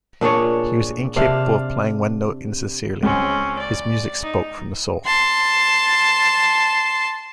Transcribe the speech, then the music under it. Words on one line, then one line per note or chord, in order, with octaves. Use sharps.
He was incapable of playing one note insincerely; his music spoke from the soul.
A#2 D4 G#4 C#5
C3 D4 F5
C#2 C4 C#4
D5
D#4
A5 C6